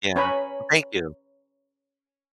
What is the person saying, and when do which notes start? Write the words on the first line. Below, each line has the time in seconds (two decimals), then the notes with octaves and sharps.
Yeah, well thank you.
0.16 C#4 B4 C#5 G#5 A#5 B5